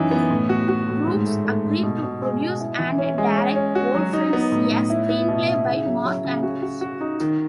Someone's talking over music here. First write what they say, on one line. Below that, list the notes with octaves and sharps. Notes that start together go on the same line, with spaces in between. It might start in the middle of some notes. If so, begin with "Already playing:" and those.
Brooks agreed to produce and direct "Old Friends", a screenplay by Mark Andrus.
Already playing: F#2 E3 F#3 D#4
B3
A2
F#4
F#4
A2
G#2
A3
A3
G#2
B2
B2
G#3
B2
E4
E3
C#4
G#3
C#4
C#4
F#4
F#3
D#4
B3
A2
A2
E4
B3
B2
E4
C#3
F#3
F#3
C#3
F#4
F#4
F#4
D#4
D#3